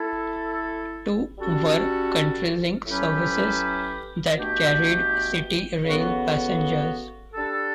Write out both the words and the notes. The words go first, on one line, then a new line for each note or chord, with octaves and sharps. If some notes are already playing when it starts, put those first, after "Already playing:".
Two were CountryLink services that carried CityRail passengers.
Already playing: A3 E4 A4
G3 C#4 F#4 A4
A2 F#3 C#4 G4 B4
B2 A3 D4 G4
C#3 E3 B3 F#4 A4
G3 D4 A4